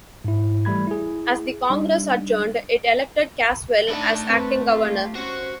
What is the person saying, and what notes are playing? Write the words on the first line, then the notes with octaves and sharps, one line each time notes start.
As the congress adjourned, it elected Caswell as acting governor.
G#2 E4
E3 G3 A3 B5 G#6
E4 G#4
G3 D4 D#4
A3 D4 D#4 B5
C4 B4
F4 G4
C#4 F#4 C5